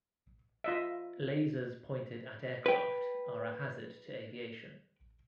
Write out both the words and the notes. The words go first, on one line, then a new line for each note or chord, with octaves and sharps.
Lasers pointed at aircraft are a hazard to aviation.
F4 D#5 E5
B4 G5